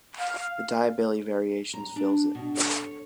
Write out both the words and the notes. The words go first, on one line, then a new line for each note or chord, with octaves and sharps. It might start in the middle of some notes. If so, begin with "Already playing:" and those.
The Diabelli Variations fills it.
F5
A#5
D4
B2
A4
C#5